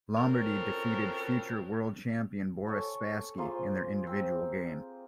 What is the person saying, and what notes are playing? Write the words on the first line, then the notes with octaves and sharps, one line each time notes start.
Lombardy defeated future world champion Boris Spassky in their individual game.
C#3 F3 C4 F#4 A4 A#4
A4 C#5 G#5
A#3 F4 G#4 C5
C4